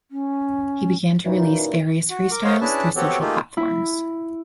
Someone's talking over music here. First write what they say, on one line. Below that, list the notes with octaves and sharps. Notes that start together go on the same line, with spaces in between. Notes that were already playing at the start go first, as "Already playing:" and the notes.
He began to release various freestyles through social platforms.
C#4
F#2 A#2 E3 D#4
F#4
A#4 D6
A#4 C5 C#5 D#5 F5 F#5
C#4 D4 E4 G#4 B4 A5
B3 C4 F#4 G4 A4 C#5
A3 A#3 D#4 F4 G4 G#4
E4